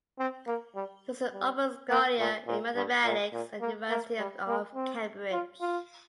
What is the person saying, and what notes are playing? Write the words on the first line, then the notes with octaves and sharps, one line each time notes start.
He was an open scholar in Mathematics at the University of Cambridge.
C4
A#3
G3
G3
A#3
A#2
A#2
G2
A#2
A#2
A#3
A#3
G3
A#3
C4
F4
F4